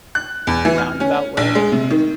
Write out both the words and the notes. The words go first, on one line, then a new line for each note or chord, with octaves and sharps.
roundabout way.
F#6
E2
E3
F6
C#4
A#1
G#3
C3
D#3